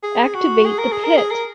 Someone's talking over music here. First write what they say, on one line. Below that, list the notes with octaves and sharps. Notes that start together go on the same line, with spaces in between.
Activate the pit!
G#4
F#4
G#4
A#4
G#4
A#4
G#4
A#4